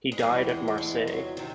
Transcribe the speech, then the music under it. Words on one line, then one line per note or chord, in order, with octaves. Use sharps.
He died at Marseilles.
G#3
E2 C3 E3 G3
G#3
A3
G#3
F#3
C3 D#3